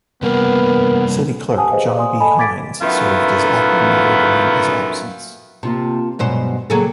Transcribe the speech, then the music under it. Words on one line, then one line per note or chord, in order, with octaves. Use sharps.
City Clerk John B. Hynes served as acting mayor during his absence.
C3 G3 A#3 B3 A#4
G4 F#5 G#5 A5 D#6
G4 G#4 B4 C5 D#5 F5
D5 F5 G#5 C6 D#6
A4 D#5 G#5 A5 B5
D6 G#6 A6 B6 D7
F#2 D#3 A3 B3 E4 F4
C3 A#3 F4 A5
G2 B2 F#3 G#3 C5
C#3 F#3 G3 A#3 G#4 A4